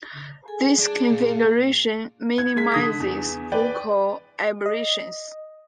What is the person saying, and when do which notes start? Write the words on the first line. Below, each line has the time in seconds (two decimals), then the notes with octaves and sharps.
This configuration minimises focal aberrations.
0.48 G#4 A4 G#5
0.79 D4 G#4
1.10 A#2
2.38 G#6
2.56 G#3 G#6 B6
2.72 D3 D#6 B6
3.00 E2
3.52 B4 D5 G5
4.66 D#5